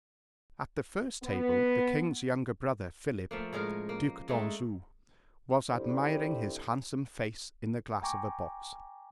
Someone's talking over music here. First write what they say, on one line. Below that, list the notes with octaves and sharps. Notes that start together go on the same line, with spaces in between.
At the first table, the king's younger brother, Philip, Duc d'Anjou, was admiring his handsome face in the glass of a box.
B3
F3 A3 A#3
A2 G#3 C#4 A#4
A#3
G#3 A3 D#4
D3 G3 C4 E4 C5
G5 G#5 A#5 C#6 D6